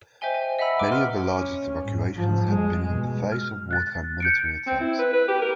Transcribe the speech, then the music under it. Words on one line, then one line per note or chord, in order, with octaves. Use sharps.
Many of the largest evacuations have been in the face of war-time military attacks.
C5 D#5 E5 G5 G#5 G7
G#5
D#5 E5 F#5 A#5 B5 E6
B4 D6 D7
C6 F6
C#4
G#2
G#2 F3
F2 G#3
B2
F6
F#6 A6
G6 C#7 D7
C4
E4
B4
B4
G4
A#4